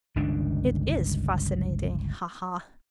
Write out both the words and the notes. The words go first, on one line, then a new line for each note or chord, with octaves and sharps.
It is fascinating, ha-ha!
G1 C#2 D#3 D4